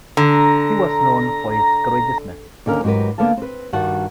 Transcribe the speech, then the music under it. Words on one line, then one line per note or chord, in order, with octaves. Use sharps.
He was known for his courageousness.
D3 A#5
D#2 D3 C#4 A#4
G#2 F#3 G4 A#4 B4
D3 A#3 B3 A4 F5 A5
C4 B4
G2 D#3 G3 F#4 F#5 A5